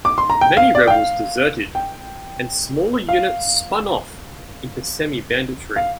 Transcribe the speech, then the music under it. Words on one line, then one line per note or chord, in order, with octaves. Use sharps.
Many rebels deserted, and smaller units spun off into semi-banditry.
D6
C6
A#5
G5
F5
D5
G5
F5
G5
F5
F5